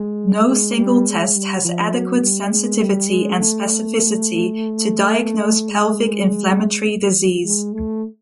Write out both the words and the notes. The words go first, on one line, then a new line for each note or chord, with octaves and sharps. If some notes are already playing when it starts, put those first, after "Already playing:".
No single test has adequate sensitivity and specificity to diagnose pelvic inflammatory disease.
Already playing: G#3
G#3
G3
G#3
G3
F3
F#3
G3
G#3
G3
G#3
A3
G#3
G#3
A3